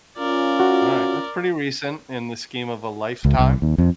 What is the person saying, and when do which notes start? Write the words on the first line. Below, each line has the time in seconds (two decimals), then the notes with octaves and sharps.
Alright, that's pretty recent in the scheme of a lifetime.
0.18 C#4 F4 A#4 D5
0.60 F#4
3.25 C#2
3.39 C2
3.62 D#2
3.78 F2